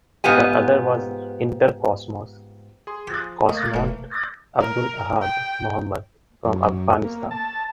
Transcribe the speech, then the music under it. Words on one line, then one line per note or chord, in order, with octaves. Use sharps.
The other was Intercosmos cosmonaut Abdul Ahad Mohmand, from Afghanistan.
G#2 B3 F4 G4 G#5
G#4 C6
F3 G4
A3 A#3 D#5
E1 A2 E3
A#4
G5
F#2
A#3
A5